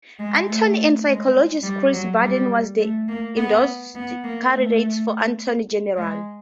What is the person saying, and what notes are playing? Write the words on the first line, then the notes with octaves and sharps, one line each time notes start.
Attorney and psychologist Chris Barden was the endorsed candidate for attorney general.
G#3
A3
G#3
G3
F#3
G3
A3
A#3
B3
B3
A#3
A3
G#3